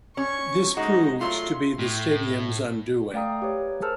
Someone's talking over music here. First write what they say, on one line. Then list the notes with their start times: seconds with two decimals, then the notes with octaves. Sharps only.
This proved to be the stadium's undoing.
0.17 C#4 C#6
0.77 G#3 D#4 F#4
1.21 F#3 A3 F4 C6
1.79 A2
3.13 A3 D5 F5 G5 A#5 D#6
3.42 G4 B4 C#5
3.82 G#4 A#4 C5 A5 E6 F6